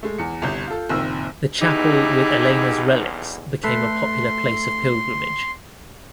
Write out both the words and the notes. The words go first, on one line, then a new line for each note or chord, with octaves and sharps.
The chapel with Alena's relics became a popular place of pilgrimage.
G#3 A3
E2 C#7
G1 C2 G6
F4 A4
F#1 A#2 D#3 C4 E6
B1 E2 D#4 E4 G4 G#4 D6
A3 A4 B4 C6